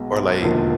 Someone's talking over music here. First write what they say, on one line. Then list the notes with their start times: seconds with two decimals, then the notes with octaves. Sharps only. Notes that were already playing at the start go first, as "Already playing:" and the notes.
or, like,
Already playing: B1 B2 G#3 B3
0.42 E1 D#2 D3 F3